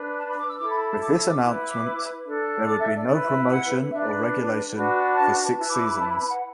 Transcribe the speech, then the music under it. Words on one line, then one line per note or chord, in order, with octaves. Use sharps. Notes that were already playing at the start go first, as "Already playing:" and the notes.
With this announcement there would be no promotion or regulation for six seasons.
Already playing: D4 B4
A5
B5
D6
E6
E4 A4 D6
B5
B5
A5
D6
E6
D6
E4 B4 D6
D6
D4 A4
D6
E5
D5
E4 B4 D5
E5
E5
F#5
D4 B4 E5
D5
D4 F#4 B4
A5
E4 B4 A5
D6
D6
B5
A5
B5
B5
F#5